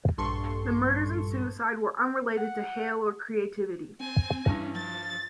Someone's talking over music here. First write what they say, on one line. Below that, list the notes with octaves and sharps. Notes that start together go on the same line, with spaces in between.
The murders and suicide were unrelated to Hale or Creativity.
A#1 G2 A4 C6 C#6
F#5
C4 G#5
G2 E3 C#4 A#6
F3 A6